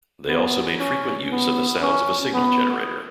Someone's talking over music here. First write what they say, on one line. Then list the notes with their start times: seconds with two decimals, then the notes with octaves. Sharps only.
They also made frequent use of the sounds of a signal generator.
0.27 B3
0.79 C#4
1.30 B3
1.81 C#4
2.34 B3